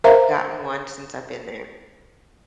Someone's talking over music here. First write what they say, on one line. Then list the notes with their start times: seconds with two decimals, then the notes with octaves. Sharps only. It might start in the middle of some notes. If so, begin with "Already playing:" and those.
gotten one since I've been there.
0.04 A#4 C5 E5 F5 A#5